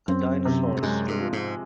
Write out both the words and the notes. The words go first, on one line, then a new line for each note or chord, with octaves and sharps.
A Dinosaur's Story.
F#2 C4
C3
F2
F#2 G#3
G2
F3
G#2